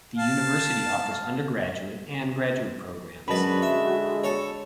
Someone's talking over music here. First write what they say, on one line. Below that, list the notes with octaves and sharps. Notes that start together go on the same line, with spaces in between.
The university offers undergraduate, and graduate programs.
F5 A5
F#2 D3 G#3 F#4 B4 D#5 A5 B5
E5
A4 C#5